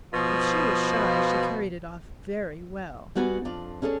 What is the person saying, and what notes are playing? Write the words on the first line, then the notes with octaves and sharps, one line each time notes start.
If she was shy, she carried it off very well.
B2 F3
G3 B3 F#4 B4 G#5
F2 D4 F4 D5
C#4 D4 G#4 A4 C#5